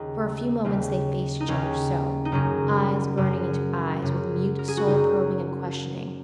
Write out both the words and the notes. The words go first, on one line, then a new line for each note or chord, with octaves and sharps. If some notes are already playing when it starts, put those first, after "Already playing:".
For a few moments they faced each other so, eyes burning into eyes with mute soul-probing and questioning.
Already playing: D#2 C#3 D#4
D#2 C#3
D#4
D#2 C#3 C#4
D#4
F#2 C#3 C#4
F#2 C#3
F#2 C#3
A#4
G#4
F#4
F#2 C#3 D#4